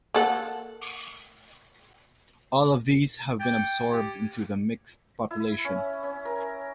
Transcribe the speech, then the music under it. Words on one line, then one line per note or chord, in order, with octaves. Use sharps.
All of these have been absorbed into the "mixed" population.
A#3 A4 F#5
G5 D6 G#6 A6
C#7
G4
E4
C#4
C#4
A#4